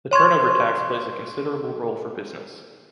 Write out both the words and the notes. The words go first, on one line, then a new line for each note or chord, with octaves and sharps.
The turnover tax plays a considerable role for business.
C#5 C6 C#6 G#6